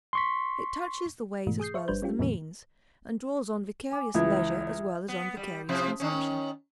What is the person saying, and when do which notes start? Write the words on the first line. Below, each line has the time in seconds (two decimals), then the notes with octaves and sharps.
It touches the ways as well as the means, and draws on vicarious leisure as well as on vicarious consumption.
0.13 C6 C#6 B6
1.47 G#2 B2 E3 A3
1.60 G#4 D#6 G6 C7
1.74 C5 E5 C#6
1.88 G1 G3 D4 B4 C5 G6
2.02 G3 C#4 F4 G4
2.19 E2 A2 D3 E3 G3 A#3
3.92 G#5 D6
4.14 C#2 E3 E5 D#6 G#6
5.08 B3
5.37 G3
5.69 C3 F3 E4
6.00 D#3 C#4